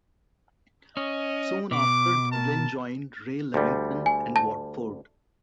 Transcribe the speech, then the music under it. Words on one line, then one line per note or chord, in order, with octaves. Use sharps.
Soon after Devlin joined Ray Lewington and Watford.
C#4 D#5
B2 D6
A#4 A5
D2 G3
G#5
A5